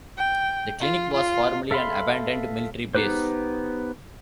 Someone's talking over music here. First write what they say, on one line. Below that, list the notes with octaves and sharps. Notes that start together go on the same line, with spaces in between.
The clinic was formerly an abandoned military base.
G5
F4
F4
A4 E5 F5 B5 C6
B3 D#4 G4 B4 C5